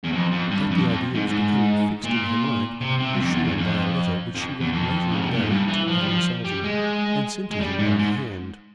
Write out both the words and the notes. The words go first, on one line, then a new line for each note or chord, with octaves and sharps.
That the idea was becoming fixed in her mind, was shown by a letter which she wrote later in the day to Adam Salton, and sent to him by hand.
E2
F2
F2
G2
F2
F2
G#2
G#2
A#2
C3
C3
G2
F2
E2
E2
F2
F2
E2
F2
C#3
C3
A#2
G#2
G2
E3
F3
G3
F3
G3
G#3
G#3
G3
G#2
G#2